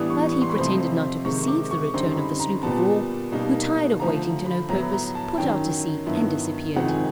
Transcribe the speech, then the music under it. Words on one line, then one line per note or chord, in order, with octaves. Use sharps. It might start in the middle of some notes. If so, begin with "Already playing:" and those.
But he pretended not to perceive the return of the sloop of war, who tired of waiting to no purpose put out to sea and disappeared.
Already playing: A2 E3 G3 B3 D4 D#6
C#6
C#6
C6
B5
F2 C3 F3 A3 C4 C6
C3 D#3 G#3 C#6
D6
C#6
F#2 D3 G3 C4 D#4 C6
B5
A#5
A#2 G3 B3 A5
B2 G3 A#3 D#4
D3 F3 A3 A#5
B5
A2 F#3 B3 E4 A#5
A#5
A5
F#2 D#3 F#3 G5
G2 D#3 F#3 B3 E4
F2 C3 D#3 G#3 F#5
G#5